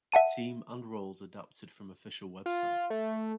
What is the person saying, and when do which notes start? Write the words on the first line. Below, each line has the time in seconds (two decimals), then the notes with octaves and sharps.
Team and roles adapted from official website.
0.12 E5 F#5 A5 D#7
2.46 F4
2.90 A3